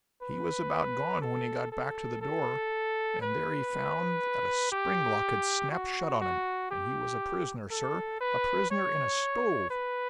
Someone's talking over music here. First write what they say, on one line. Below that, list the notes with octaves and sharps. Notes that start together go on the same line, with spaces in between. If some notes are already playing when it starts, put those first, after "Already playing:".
He was about gone when he got back to the door, and there he found that a spring-lock had snapped shut on him, and he was a prisoner, sir--a prisoner in a stove.
B4
A4
A4
A4
B4
G4
F#4
F#4
G4
A4
B4
C#5
B4